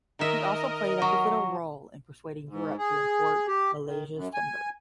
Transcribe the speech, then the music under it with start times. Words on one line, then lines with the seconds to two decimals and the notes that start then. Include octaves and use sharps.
He also played a pivotal role in persuading Europe to import Malaysia's timber.
0.19 D#3 A#4 D#5 E5
1.02 F#3 C#6
2.49 G#2
2.78 G#4
3.47 G4
3.85 D#3
4.15 F#2
4.34 G#5